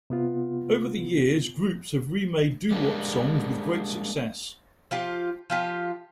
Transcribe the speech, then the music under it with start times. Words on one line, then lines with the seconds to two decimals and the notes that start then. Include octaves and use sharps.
Over the years groups have remade doo-wop songs, with great success.
0.10 C3 B3 F4
2.71 G3 G#3 A#3 D4
4.91 F3 F4 G4
5.50 F3 F4 G4